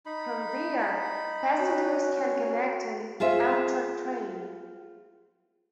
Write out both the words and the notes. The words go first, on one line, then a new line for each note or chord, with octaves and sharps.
From there, passengers can connect to an Amtrak train.
D#4 B5
C#4 F#4
F4 G#4 C5 E5